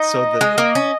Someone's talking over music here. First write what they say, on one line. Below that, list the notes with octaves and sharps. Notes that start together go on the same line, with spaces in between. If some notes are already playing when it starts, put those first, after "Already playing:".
so the
Already playing: D#4 D#5
G#3
A#3
C#4